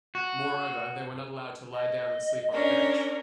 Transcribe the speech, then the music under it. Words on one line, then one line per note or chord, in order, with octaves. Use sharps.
Moreover, they were not allowed to lie down and sleep on the bench.
F#4
D#5
C#4 D4 A#4